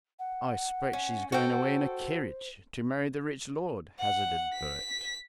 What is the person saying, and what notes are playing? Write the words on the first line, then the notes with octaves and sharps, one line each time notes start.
"I 'spect she's going away in a kerridge to marry the rich lord," hazarded Bert.
F#5
C#4
F#4 A4 C5 G5
F#5
B6